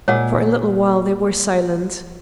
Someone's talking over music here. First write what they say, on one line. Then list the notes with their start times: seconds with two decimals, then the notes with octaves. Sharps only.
For a little while they were silent.
0.08 A#2 G#3 C#5 F#5